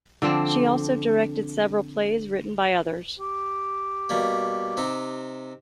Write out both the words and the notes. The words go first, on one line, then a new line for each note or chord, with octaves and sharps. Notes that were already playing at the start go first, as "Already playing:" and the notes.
She also directed several plays written by others.
D3 F3 C4 D4
G4
B2 G3 A#3
C3 C4 D#4